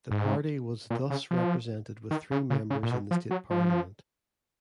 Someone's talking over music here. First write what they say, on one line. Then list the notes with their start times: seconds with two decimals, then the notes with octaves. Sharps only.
The party was thus represented with three members in the state parliament.
0.11 G#2
0.90 A#2
1.10 C#3
1.31 F3
2.11 D#3
2.31 C#3
2.50 C#3
2.70 C#3
2.83 A#2
2.91 B2
3.11 F3
3.31 F#3
3.50 F3